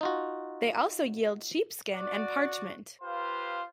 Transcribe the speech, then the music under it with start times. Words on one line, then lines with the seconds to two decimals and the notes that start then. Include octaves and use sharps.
They also yield sheepskin and parchment.
0.01 D#4 F4 F#4
1.93 F#4 D5
3.02 F4 G4 B4 C5 F5